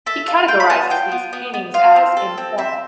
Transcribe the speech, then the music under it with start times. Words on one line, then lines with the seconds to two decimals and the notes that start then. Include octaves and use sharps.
He categorises these paintings as 'informal'.
0.06 A4 E5
0.28 A4 F5
0.48 F4 G5
0.60 B5
0.69 B3 A5
0.90 F4 G5
1.12 B3
1.33 B3
1.54 B3
1.74 F4 F5
1.96 C4
2.17 A4
2.38 C4
2.58 C4 E5